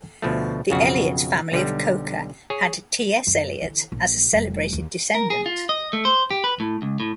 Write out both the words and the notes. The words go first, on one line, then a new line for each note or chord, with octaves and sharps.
The Elyot family of Coker had T. S. Eliot as a celebrated descendant.
D2 B2 F3 A3
B1 F2 C#3 F#4
B1 D3 G3
G#4 C#5
F#2
D3 E3
A#1
F1 G3
D#2
A#4
G#4
F4
D#5
A3
C5
G4
B4
A2
C#2
A2